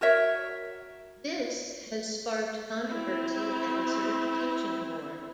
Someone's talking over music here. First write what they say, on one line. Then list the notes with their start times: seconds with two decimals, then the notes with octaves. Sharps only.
This has sparked controversy and a certification war.
0.01 F#4 A#4 C#5 E5
2.85 C4 E4